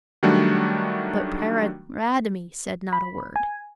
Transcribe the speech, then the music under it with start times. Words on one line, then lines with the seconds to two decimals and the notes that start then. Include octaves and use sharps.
But Paridamie said not a word.
0.23 D#3 F#3 G3 A3 D4 F#4
2.93 B5
3.36 G#5